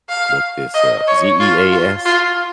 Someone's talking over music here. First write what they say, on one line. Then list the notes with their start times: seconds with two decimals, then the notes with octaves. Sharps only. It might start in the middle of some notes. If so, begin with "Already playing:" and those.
look this up. Z-E-A-S?
0.09 F5
0.75 D#5
1.07 C#5
1.40 F4
1.72 F4
2.05 F4